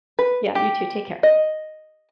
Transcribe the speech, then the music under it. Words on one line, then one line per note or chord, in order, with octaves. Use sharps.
Yeah, you too. Take care.
B4
G4
D#5